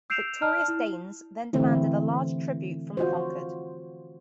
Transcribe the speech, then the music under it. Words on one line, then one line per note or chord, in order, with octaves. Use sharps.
The victorious Danes then demanded a large tribute from the conquered.
E6 G6 C7 D7 E7 F7
D5 A5 F6
E4
D3 E3 A3 C4 E4
F4 F#4 C5